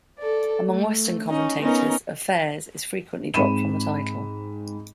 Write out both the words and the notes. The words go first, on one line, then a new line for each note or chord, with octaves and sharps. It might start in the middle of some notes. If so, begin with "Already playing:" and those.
Among Western commentators, "Affairs" is frequently dropped from the title.
A4 D5
A3
C#4 D#4
B3 C#4 D#4 A#4
G#2 C4 B5 D#7 E7